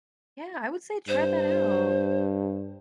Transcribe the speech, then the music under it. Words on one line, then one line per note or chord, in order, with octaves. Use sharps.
Yeah, I would say try that out.
G2 C5